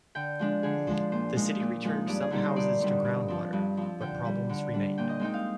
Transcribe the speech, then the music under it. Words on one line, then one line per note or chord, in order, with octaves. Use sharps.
The city returned some houses to ground water, but problems remained.
D3 G5
F3 G#3 D4
D3 G#4
F3 G#3 D4 C5
A#2 C5
F3 G#3 D#4
A#2
F3 G#3 D#4
G2 D5
G#4
D3 G3 C4 D#4 A#4
C5
G2 D5
D3 G3 C4 D#4
G2
F3 C4
G2
F3 C4
D3 G5
G3 D4
D3
G3 D4
A#2 G5
D#5
G#3 C4 D#4 G5
F5